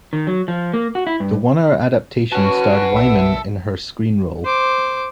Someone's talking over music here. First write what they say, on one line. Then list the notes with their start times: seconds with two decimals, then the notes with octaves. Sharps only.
The one-hour adaptation starred Wyman in her screen role.
0.13 D#3
0.27 F#3
0.48 F3
0.74 A#3
0.95 F#4
1.07 E4
1.20 G2
2.32 C#4 F#4 B4 F#5 A5
2.93 B1 E5
4.45 C5 D6